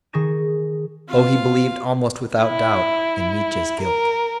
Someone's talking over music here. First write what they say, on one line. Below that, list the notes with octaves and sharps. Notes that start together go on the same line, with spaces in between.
Oh, he believed almost without doubt in Mitya's guilt.
D#3 G#4 C#6 A#6 E7
C4 F4 F5
E4
A#4